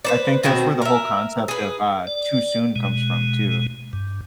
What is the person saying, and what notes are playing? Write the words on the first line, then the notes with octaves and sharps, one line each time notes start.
I think that's where the whole concept of, uh, "too soon" comes from, too
B4 C5 D5
B2 D#3 C4 F#4
A#4 E5
G#4 B4
D5
B2 G#3
G2